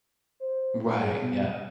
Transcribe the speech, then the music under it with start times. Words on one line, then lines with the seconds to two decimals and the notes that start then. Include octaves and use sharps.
Right, yeah.
0.40 C5
1.01 G#4
1.20 B2
1.46 D#5